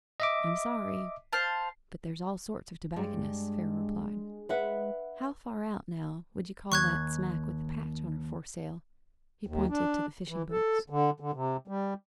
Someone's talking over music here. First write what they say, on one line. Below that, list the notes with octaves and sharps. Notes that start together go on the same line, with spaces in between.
'I'm sorry; but there's all sorts of tobacconists,' Pharaoh replied. 'How far out, now, would you call that smack with the patch on her foresail?' He pointed to the fishing-boats.
D#5 E5 D6
C5 F5 A5
G2 G#3
B4 E5 F#5
D#2 C#6 F#6 G#6
D#2
D4
E3
A4
D3
D3
C3
G3